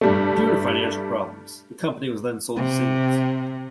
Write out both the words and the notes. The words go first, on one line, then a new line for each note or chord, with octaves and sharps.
Due to financial problems, the company was then sold to Siemens.
G2 G3 A3
C3